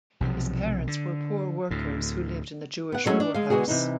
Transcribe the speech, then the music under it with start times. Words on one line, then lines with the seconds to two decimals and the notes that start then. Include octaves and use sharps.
His parents were poor workers who lived in the Jewish poorhouse.
0.21 B1 C3 D#3 F3
0.87 D3
1.71 D2 A2
2.92 B3 F#5
3.06 D3 F#3 G#3 A3 C#4 E4
3.20 D4
3.34 G#3 F5
3.50 D3 G#3 B3 F#4 G#4
3.68 C3 E3 D#4